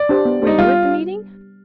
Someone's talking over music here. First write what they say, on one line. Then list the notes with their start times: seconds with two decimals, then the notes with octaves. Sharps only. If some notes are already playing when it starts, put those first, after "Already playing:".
"Were you at the meeting?"
Already playing: D5
0.09 D4 G4 C5
0.25 B3
0.42 D4 D#4 G4 C5
0.58 G3 F4